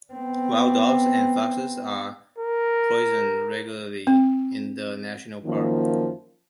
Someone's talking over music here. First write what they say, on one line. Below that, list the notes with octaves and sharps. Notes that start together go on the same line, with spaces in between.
Wild dogs and foxes are poisoned regularly in the national park.
B3 C4
A#4
C4
F#2 D#3 F3 A#3